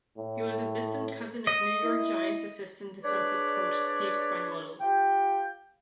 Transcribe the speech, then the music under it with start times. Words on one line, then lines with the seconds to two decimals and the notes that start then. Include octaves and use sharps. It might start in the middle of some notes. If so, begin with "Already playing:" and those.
He was the distant cousin of New York Giants assistant defensive coach Steve Spagnuolo.
0.18 A2
1.47 D#5
1.84 E4
3.03 D4 G#4 B4 C#5 D5
4.80 F4 G4 G5